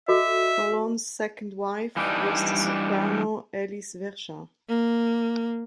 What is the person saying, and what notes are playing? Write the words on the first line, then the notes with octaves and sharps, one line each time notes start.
Colonne's second wife was the soprano Elise Vergin.
F#4 A4 D#5 E5
G2 E3 G3 D4 D#4
A#3